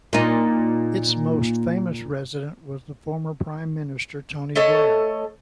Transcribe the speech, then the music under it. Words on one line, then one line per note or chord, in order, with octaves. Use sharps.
Its most famous resident was the former Prime Minister, Tony Blair.
A#2 D#4
A3 A4 C#5 D#5